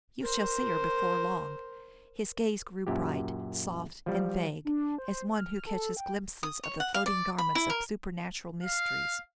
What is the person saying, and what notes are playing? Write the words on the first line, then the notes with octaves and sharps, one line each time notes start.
"You shall see her before long." His gaze grew bright, soft, and vague, as one who catches glimpses of the floating garments of supernatural mysteries.
A#4 C5
F#2 A#2 G4
F3 G3
D4
C5
F6
A4
G5
D#6
C#5
F#5
F5
D5
B5
E4
A#4
F5